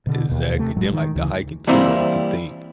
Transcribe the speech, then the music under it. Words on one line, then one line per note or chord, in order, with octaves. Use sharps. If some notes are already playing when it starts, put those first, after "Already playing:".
Exactly. Then, like, the hiking too, like, you could think
B2 D3
D#2 B2
C3 A3
F#1 A2 F#3 G#3
D#3
D2 C#3 E3
E3 G3 A#3 C4 E4